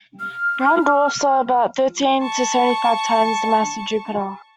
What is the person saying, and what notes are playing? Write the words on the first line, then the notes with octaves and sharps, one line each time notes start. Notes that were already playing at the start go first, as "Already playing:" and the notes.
Brown dwarfs are about thirteen to seventy-five times the mass of Jupiter.
F6
A5 C#6